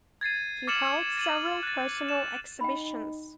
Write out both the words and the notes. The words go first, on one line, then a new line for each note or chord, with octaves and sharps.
He held several personal exhibitions.
G#6 A6 C7 D#7
D6 F6 A6 C#7 E7 F#7
A6 D#7 E7 F#7
F#6 A6
E7
D#4 G5 B5